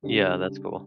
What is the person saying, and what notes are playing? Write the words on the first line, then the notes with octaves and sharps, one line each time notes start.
Yeah, that's cool.
C#3 G3 D4 G4